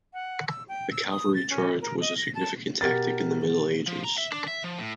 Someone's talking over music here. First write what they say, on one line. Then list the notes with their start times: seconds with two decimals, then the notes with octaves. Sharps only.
The cavalry charge was a significant tactic in the Middle Ages.
0.13 F#5
0.48 E6
0.68 G5
0.91 E6
1.10 D#6
1.34 A6
1.50 C#4
1.81 A#4
2.01 D#5
2.17 A#6
2.35 A5
2.81 B2 G4 A#4 A6
3.88 F3
4.04 A#5
4.18 E5
4.32 D4
4.48 E5
4.64 F3
4.79 A2